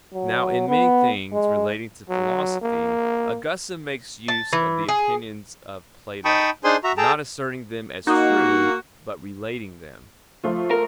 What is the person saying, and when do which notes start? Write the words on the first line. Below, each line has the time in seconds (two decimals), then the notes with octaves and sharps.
Now in many things relating to Philosophy Augustine makes use of the opinions of Plato, not asserting them as true, but relating them.
0.14 F#3
0.68 B3
1.33 G#3
2.09 F#3
2.61 A#3
4.28 A5
4.53 E3
4.88 G#4
6.25 D#4 G5 A5 B5 C#6 D#6
6.64 D4 D#4 G#4 C5 G#5 C6
6.84 F#4 E5 A#5
6.97 G#4 A4 G5 A5 A#5
8.07 A#3 D#4 F#4
10.44 F3 A3 F4
10.71 A#4